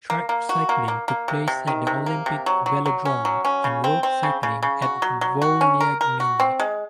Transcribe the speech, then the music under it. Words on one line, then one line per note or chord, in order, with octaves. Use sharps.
Track cycling took place at the Olympic Velodrome, and road cycling at Vouliagmeni.
A#3
A#3
F#4
A#3
A#3
A#3
C3
C3
D#3
C3
A#3
C3
F#3
F#3
F#3
C#4
F#3
C#4
C#3
C4
C4
C#3
C#3
C#3
F#4
F#3
F#3
F#4
C#4
A#4
A#4
F#4
C4
G#3